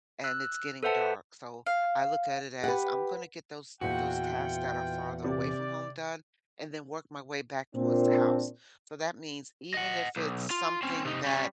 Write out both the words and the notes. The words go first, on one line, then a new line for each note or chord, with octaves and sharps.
and it's getting dark, so, I look at it as I'm gonna get those those tasks that are farther away from home done and then work my way back towards the house. So that means even if it's something that
E6 F#6
A4 B4 C5 E5 F#5 A5
F5
G4 B4 F#5
E2 A#2 E3 F4 F#4 G5
C3 D5
A#2 C4 D4
D#5 F#5
B1
F4
C4 C#4
C3 D#4
G3 C#4